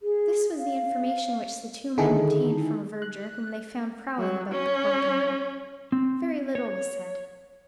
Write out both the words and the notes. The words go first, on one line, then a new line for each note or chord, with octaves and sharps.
This was the information which the two men obtained from a verger, whom they found prowling about the quadrangle, Very little was said.
G#4
F5
D3 D#3 D#4 E4 G#4 A4
F#6
F#3
C#4
C4
C#5